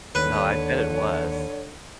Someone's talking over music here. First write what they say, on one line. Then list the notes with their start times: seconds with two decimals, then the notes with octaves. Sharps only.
No, I bet it was.
0.15 D#2 D3 B4 C#5